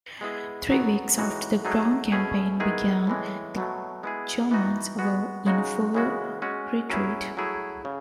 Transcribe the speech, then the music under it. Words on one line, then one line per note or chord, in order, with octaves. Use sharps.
Three weeks after the ground campaign began, the Germans were in full retreat.
G#3 B3 E4 G#4
D#3 F#3 B3
A2 E3 G#3 D#4 F#4
F#3 A3 D#4 G#4
B2 A3 C#4 G#4
D#3 G#3 B3 E4 G#4
A2 E3 G#3
B2 F#3 A3
G#3 B3 E4 G#4
E3 B3 D#4 F#4
G#3 B3 F#4
C#3 G#3 D#4 F#4
C#3 E3 G#3 C#4 F#4
G#3 C#4 F#4
F#3 C#4 E4 G#4
F#3 A3 E4 G#4
C#3